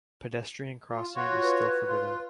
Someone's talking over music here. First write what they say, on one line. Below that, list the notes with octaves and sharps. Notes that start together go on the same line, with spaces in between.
Pedestrian crossing is still forbidden.
F4
F4 F#4 C#5
B4
F4